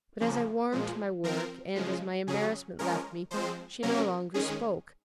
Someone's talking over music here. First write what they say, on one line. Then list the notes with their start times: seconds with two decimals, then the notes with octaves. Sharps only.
But as I warmed to my work, and as my embarrassment left me, she no longer spoke.
0.20 C#3 F3 A#3
0.72 A#2 F3 G#3
1.24 F3 C4 A#4
1.75 C#3 F3 G#3
2.27 C#3 F#3 C#4 G#4
2.79 F3 G#3 C#4 A#4
3.31 F3 G#3 C4 C5
3.82 C3 F#3 A#3 C#4 A#4
4.34 D#3 G#3 C#4 G#4